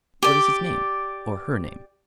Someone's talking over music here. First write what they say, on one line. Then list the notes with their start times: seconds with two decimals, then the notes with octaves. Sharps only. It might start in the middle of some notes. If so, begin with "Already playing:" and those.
"What is his name--or her name?"
0.23 G4 D5